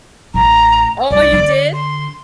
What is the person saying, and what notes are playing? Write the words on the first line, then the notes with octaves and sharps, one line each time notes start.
Oh, you did?
A1 A#5
C2 D5
D3
C6